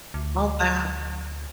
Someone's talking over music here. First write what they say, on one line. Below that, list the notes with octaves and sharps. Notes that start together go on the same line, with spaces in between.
Oh, wow.
D2